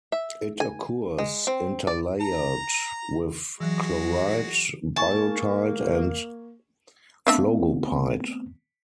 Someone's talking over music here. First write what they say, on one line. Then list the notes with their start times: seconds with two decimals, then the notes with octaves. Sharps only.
It occurs interlayered with chlorite, biotite and phlogopite.
0.12 E5
0.60 G#5
1.18 G#3
1.47 C4
1.87 D5
2.21 A5 A#5
3.60 E3 F#3 G#3 F#4
4.96 A#3 G#5 A5 C#6
7.27 A3 B3 C4 D4 E5 F5